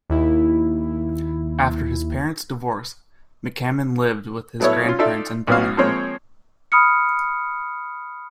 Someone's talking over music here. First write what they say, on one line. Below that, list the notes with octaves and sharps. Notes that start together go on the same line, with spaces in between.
After his parents' divorce, McCammon lived with his grandparents in Birmingham.
D#2 E4
F#3 A3 B3 E4 A4 C#5
C#4 F4
D#4 F4 A4 D5 E5
B1 B3 C#4 F#4 F5
F3 G#3 A#3 C4 C#5
B5 D#6 F6 C#7